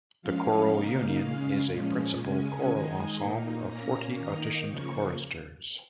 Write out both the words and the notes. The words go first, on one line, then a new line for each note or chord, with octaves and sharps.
The Choral Union is a principle choral ensemble of forty auditioned choristers.
F3 G#3 C#4 F5
C#3 A#3 D#4
C#3 G#3 C#4
A#2 F3 G#3 C#4
C#3 G#3 C#4 G#5
D#3 G#3 D#4
A#2 A#3 D#4
A#2 A#3 C#4 A#5
D#3 A#3 D#4 A#5
C#3 F3 A#3 C#6